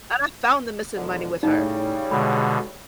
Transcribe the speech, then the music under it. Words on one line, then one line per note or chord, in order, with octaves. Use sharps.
And I found the missing money with her.
E1 G#2 D3
A2 C#3 G3 D#4
B2 D3 G#3 B5